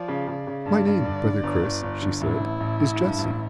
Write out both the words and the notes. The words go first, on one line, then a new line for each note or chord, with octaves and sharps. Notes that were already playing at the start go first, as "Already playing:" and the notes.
"My name, brother Chris," she said, "is Jessie."
Already playing: F3 D5
C#3
C#3
C#3
G2 D5
G2
D3
D3
G1
G1
G1
D3
A1 E4
A1
A1
A1
G2
A1